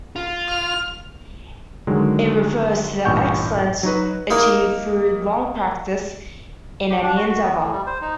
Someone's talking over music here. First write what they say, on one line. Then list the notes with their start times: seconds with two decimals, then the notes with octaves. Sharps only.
It refers to excellence achieved through long practice in any endeavor.
0.16 F4
0.49 F6
1.87 D3 D#3 F#3 G#3
3.05 A1 G2 A#2 C#6 G6
3.83 F#3 D#4 F#4 B4
4.30 A#3 D#4
6.90 G4
7.02 D4
7.16 F#4
7.30 F#4
7.43 B3
7.59 A2
7.73 G3
7.87 C5
8.01 D#4